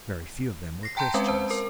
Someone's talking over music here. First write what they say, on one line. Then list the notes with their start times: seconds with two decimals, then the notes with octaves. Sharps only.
Very few of them were Christians.
0.83 A#6 C7
0.97 G5 A5 A#5 C6 G6
1.14 G#3 C4 C#4 B4
1.28 C5 A5
1.50 A#4